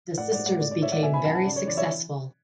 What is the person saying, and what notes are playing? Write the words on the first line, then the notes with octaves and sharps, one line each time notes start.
The sisters became very successful.
A2 D5 F#5
D5 F#5
G#3
D5 F#5
A2 D5
D5
G#3 C#5 E5
D5 F#5
B2 E5 G#5
G#5 B5
F#3 F#5 A5
F#5 A5
C#3 D5
C#5
E3 D5
C#5 E5